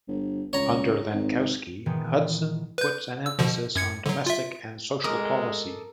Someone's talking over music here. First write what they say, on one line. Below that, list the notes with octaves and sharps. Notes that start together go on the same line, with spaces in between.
Under Lenkowsky, Hudson put an emphasis on domestic and social policy.
G1
C#2 C#5 A#5
G#1
A#2 D#3 E3 G#3 B3
B4 G6
E6
B2 D3 F3
F#2 G#6 C#7
D3 F#3
F4 E5
G#3 A4 A#4 D6 D#6